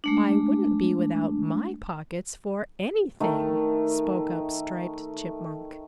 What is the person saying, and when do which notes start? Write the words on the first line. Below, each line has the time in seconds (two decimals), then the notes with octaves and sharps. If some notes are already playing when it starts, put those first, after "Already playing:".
"I wouldn't be without my pockets for any thing," spoke up Striped Chipmunk.
0.04 G#3 A3 D4
3.20 D#3 A3 D#4